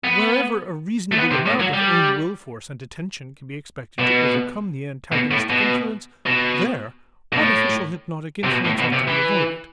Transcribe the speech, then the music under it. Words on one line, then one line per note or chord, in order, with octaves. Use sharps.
Wherever a reasonable amount of own will force and attention can be expected to overcome the antagonistic influence, there artificial hypnotic influence ought to be avoided.
B3
A3
B3
C3
A2
F#3
G3
B2
B2
A2
B2
B2
B2
A2
C3
B2
A2
B2
C3
E3